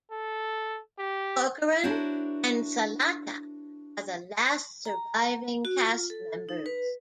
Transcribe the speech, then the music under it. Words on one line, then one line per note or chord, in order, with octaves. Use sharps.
Corcoran and Salata are the last surviving cast members.
A4
G4
D4 E4 F#4 A#4 C5 C#5
A#5
F#4
F4
A4
D#4
B4